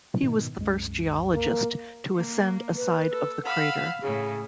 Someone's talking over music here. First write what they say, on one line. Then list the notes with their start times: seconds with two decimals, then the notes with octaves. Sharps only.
He was the first geologist to ascend a side of the crater.
0.22 G#2 B2 D#3
0.58 C2 F#2 G#3
1.33 A#3
2.14 A#3
2.76 B4
3.10 A4
3.44 F5 F#5 B5 E6
4.02 A2 C#3 G#4